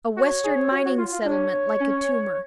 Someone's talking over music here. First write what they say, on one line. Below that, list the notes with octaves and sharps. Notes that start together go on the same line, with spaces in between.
A Western mining-settlement like a tumor.
F#4 C#5
G#4
F#4
F#4
F4
F4
D4 C#5
C#4